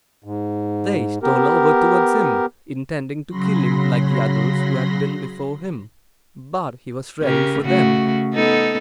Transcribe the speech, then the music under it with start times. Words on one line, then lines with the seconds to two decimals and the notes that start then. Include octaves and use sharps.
They stole over towards him, intending to kill him, like the others who had been before him: but he was ready for them.
0.24 G#2
1.23 B3 G4 A#4
3.29 C#3 F#3 B5 C6 A#6
7.22 C#3 G4 A#4
7.62 C#3 A3 F#4
8.34 B3 D#4 A4